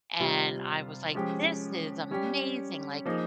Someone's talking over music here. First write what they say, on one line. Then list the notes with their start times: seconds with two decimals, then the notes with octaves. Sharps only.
and I was, like, "This is amazing, like,
0.20 C3 G3 C4 F4
1.15 F3 G#3 C#4 G4
2.11 G3 C#4 G4
3.05 F3 A#3 D#4 G#4